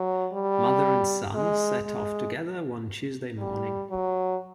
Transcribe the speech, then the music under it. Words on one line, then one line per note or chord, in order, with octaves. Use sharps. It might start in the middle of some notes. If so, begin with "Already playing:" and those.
Mother and son set off together one Tuesday morning.
Already playing: F#3
G3
G#3
G#3
G3
F#3